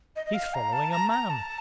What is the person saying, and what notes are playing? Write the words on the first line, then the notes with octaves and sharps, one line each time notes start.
"He's following a man!"
D#5
D#5
F5
A#5
A5
A#5
A#5
A5